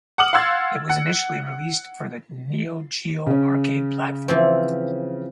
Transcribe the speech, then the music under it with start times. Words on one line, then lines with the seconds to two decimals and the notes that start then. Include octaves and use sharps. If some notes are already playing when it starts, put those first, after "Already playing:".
It was initially released for the Neo Geo arcade platform.
0.18 F#5 D6 D#6 F6 F#7
0.33 F5 F#5 C6 E6 G#6 A6
0.89 F#5
3.26 C#3 C#4
4.28 E3 F3 C4